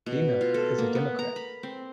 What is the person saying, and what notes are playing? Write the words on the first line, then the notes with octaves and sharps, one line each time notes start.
Beimel is a Democrat.
B2
F4
A4
A#3
B3
A#5
B5
C4